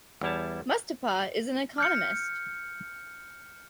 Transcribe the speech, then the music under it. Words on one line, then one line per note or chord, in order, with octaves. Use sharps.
Mustapa is an economist.
E2 G3 E4 C#5 A5
F6 G6 C#7